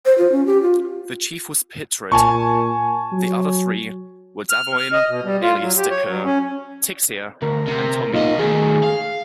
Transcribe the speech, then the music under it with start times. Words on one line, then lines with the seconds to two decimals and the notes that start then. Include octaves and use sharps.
The chief was Pitrud, the other three were Davoine, alias "Decours," Tixier, and Tomine.
0.06 C5
0.18 F4
0.32 C#4
0.46 G4
0.62 F4
2.12 A#2 G#5 A5 C#6
3.12 F#3
4.50 F6
4.77 F6
4.93 D#5
5.09 B2
5.24 G3
5.43 F4
5.62 F#3
5.77 G4
5.90 C#5
6.08 F#3
6.24 C#4
7.42 D2 A#4
7.67 C3
8.14 B1 A#3 D#4 F4 D#5
8.39 D#3 A3 G#4
8.83 F5